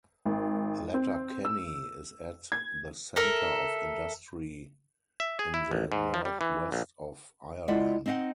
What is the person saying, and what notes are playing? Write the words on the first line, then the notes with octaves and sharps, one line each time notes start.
Letterkenny is at the centre of industry in the northwest of Ireland.
G#1
C4
E6
G#6
A4 A#4 E5
E5
G#4
E4
A1
G#2
F3
G3
E3
A#1
G#3 E4 F4 D5 E5 F#5
C4 D#4 D#5 F5 F#5